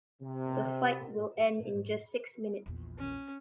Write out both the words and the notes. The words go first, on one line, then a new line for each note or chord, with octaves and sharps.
The fight will end in just six minutes.
C3
A#1 E2
C#4